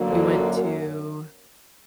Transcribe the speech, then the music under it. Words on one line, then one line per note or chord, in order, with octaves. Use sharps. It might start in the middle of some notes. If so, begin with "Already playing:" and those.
we went to,
Already playing: D3 F#3 A#3
F2
F#2
F#2